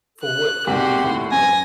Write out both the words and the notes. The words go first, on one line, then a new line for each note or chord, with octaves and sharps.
for what could be, you know,
F#6
C2 G#2 F#4 G4 C6
D#2 A2
F#2 G#5 A#6